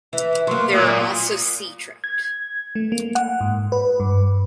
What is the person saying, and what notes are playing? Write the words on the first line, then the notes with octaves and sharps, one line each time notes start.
There are also sea trout.
E3 E5
F#3 A#3 C6
A#2 D#6
G#6
A3
A#3
F#5
G#2
B4
G2